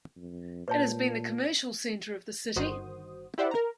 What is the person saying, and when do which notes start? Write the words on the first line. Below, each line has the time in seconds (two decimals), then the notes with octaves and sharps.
It has been the commercial center of the city.
0.16 F2
0.68 A#2 B4 C#5 A5
2.56 G1 D#3 F#4 C5 D#6
3.38 E4 G4 C5 D5 E5 F#5
3.51 A#4 A#5